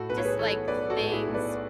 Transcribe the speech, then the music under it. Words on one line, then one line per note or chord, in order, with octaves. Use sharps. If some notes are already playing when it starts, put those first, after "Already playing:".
just, like, k things,
Already playing: A2 F#4 A4
B1 B4
C#5
G#4 B4
E3 A4 C#5
B1 B4 D5
F#4 A4
A2
E4 G#4
B1
B4 D5